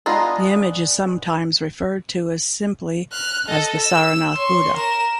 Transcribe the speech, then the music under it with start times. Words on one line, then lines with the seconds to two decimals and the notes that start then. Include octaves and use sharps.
The image is sometimes referred to as simply as the Saranath Buddha.
0.06 G#3 B3 D4 D#4 F4
3.13 F6 F#6
3.48 A4 D#5
3.80 E6 E7
4.34 C#5 C6
4.75 A#4 E7